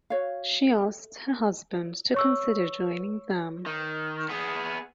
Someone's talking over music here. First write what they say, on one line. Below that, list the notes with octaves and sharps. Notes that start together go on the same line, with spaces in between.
She asks her husband to consider joining them.
F#4 C#5 F5
C#5 C#6 E6
D#3
B3 G#4